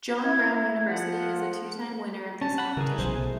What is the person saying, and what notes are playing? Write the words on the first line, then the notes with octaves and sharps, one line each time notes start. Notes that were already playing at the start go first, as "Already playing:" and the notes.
John Brown University is a two time winner of this competition.
E4 G#6
F3 F#5
C#4 A5
F#5 B5
C#3 E3 G#4 A#4
B1 C5
A3